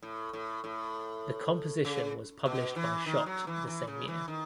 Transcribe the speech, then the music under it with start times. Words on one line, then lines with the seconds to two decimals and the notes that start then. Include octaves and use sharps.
The composition was published by Schott the same year.
0.02 A2
0.33 A2
0.64 A2
1.85 C#3
2.46 B2
2.76 E3
3.06 D#3
3.26 F#3
3.47 E3
3.67 E3
3.87 C#3
4.08 E3
4.28 D#3